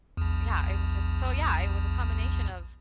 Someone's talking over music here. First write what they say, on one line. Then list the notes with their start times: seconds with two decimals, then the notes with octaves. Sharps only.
yeah, it was just so yeah, it was a combination of
0.17 A#1 E2